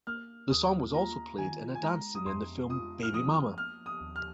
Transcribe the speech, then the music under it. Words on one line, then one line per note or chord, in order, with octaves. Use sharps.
The song was also played in a dance scene in the film "Baby Mama".
A#3 F6
D#2 D#6
F4 A#5
D#3 G#5
G#5
G#3 A#5
D#6
F2 C6
F4 D#6
F6
F3 D#6
A#3 F6
D#6
D#2
F6